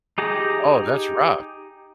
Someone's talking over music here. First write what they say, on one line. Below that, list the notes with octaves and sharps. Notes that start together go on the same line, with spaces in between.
Oh, that's rough.
D#4 G4 G#4 A#5